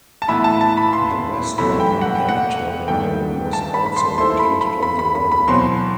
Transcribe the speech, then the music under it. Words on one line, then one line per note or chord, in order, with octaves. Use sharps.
The West London Air Terminal was also located on the road.
A5
A2 E3 B3 E4 B5
A5
A5
B5
C6
E2 C3 F#3 A3 E4 B5
G5
F#5
G5
F#5
G2 D#3 A3 G5
A5
B5
B5
C6
A3 E4 A4 C5 C6
B5
B5
B5
B5
B5
B5
E2 B2 F#3 C4 C6